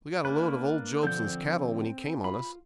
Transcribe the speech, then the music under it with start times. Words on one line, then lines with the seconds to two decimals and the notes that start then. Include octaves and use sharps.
We got a lot of old Jobson's cattle when he came on us.
0.25 A#3 D4 B4
1.03 D3 F3 C4 D4 G6
2.24 F4 B5